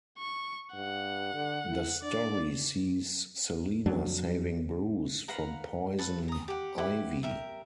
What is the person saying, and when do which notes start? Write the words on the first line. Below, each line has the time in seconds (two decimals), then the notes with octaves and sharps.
The story sees Selina saving Bruce from Poison Ivy.
0.18 C#6
0.75 G2 F#5
1.34 D3
1.68 E4
2.03 D4 D5
3.86 F2 F#3 D4
5.28 B4 F5 F#5 A#5
5.99 A4 B4
6.28 A#5 D#6
6.48 G4 F#5
6.78 E4 G4 F#5 B5
7.23 G4 A#4 E5